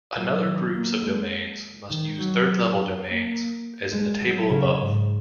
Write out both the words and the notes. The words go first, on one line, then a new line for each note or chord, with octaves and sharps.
Another groups of domains must use third-level domains, as in the table above.
F#3
D#3
A#3
G#3
D#3
F#3
A#3
G#3
F#3
C#3
G#2